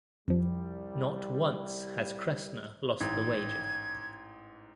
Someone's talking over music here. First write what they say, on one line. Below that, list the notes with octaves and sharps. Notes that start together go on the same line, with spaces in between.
Not once has Cressner lost the wager.
C2 F2 F3 G3
A1 G#2 G#6